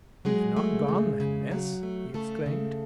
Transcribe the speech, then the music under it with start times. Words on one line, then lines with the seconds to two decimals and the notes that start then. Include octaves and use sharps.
"You've not gone, then, miss?" he exclaimed.
0.25 F#3 G#3 G#4
0.57 A3
0.88 C#3
1.20 C#3
1.51 F#3
1.83 A3
2.14 C#3 A3 A4
2.46 C#3